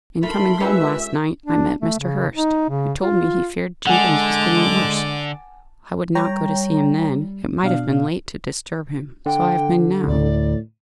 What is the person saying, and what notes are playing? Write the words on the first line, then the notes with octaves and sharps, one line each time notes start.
"In coming home last night, I met Mr. Hurst, who told me he feared Jenkins was getting worse. I would not go to see him then; it might have been late to disturb him, so I have been now."
A3 F4 A#4 B5 C6
G#3 C#4 F4 G4 A#4 B4 E5
D4
A3
C#3
D#4
C#3
F4
D3 G#3 F#5 G#5 A5 D6
G3 C#5 G5 A#5
B2 D4 F5
D3 G5
D2 A2 D5